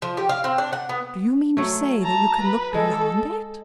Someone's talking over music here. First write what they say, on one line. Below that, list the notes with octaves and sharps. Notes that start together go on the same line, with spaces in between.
"Do you mean to say that you can look beyond it?"
F3
G4
F5
C4
D4
F#5
B3
F#3 A3
A5 A#5
B4
G#3 A4